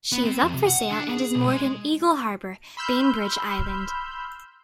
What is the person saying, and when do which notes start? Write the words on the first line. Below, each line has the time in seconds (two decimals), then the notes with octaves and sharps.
She is up for sale and is moored in Eagle Harbor, Bainbridge Island.
0.12 B3
0.25 C4
0.42 F2
0.55 C3
0.66 F#5
0.90 D4
1.09 G#4
1.35 B1
1.47 G#3
2.77 B5 C6 E6 F6 G6